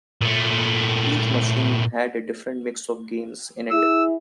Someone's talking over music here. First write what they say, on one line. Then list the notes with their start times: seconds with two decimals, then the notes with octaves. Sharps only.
Each machine had a different mix of games in it.
0.21 A#2 A3
3.71 E4 G#4 E6